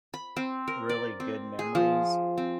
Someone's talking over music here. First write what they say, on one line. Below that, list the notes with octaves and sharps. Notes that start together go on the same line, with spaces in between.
really good memories,
B5
C4
A#4
D5
C4
G#4
F3
C4